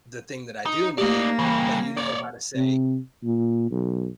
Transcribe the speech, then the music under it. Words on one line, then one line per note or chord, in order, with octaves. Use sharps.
'The thing that I do need,'" but you know how to say
D#4
A3 A#3 D#4 G4 D5
C#3 E3 G3
C#5 D5
C3
A#2
B1